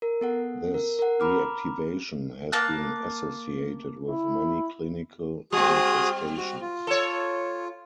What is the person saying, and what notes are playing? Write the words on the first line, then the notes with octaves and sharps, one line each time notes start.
This reactivation has been associated with many clinical manifestations.
A#4
B3 A4 F#5
A#4
A#4 F#5
A#5 B5 D6 F6
A#3 A5 F#6
E4
G3 C4 F#4 G#4 D#6
F#4
F4
A4 C#5